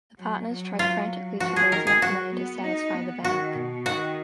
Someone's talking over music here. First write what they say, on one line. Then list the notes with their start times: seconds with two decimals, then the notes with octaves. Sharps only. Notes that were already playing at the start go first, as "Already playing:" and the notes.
The partners tried frantically to raise enough money to satisfy the bank.
0.18 F#3
0.48 F#3
0.79 F4
1.40 F3 F#4
1.56 G#4
1.71 D#3 A#4
1.87 G#4
2.02 F#3 F#4
2.33 B3
2.64 D#4
2.94 B3
3.25 D#3 F#4
3.55 B2
3.86 D#3 F#4